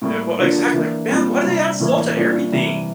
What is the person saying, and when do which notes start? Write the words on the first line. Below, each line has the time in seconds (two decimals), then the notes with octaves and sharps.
Uh, well, exact like, man, why do they add salt to everything?
0.02 A2 G3 A#3
0.37 D3 F3 A#3 D4
0.73 E3 A#3 D4
1.08 A#2 G3 C4
1.44 C3 G3 D4
1.80 A2 E3 A#3 E4
2.16 A#2 G3 D4
2.52 C3 E3 G3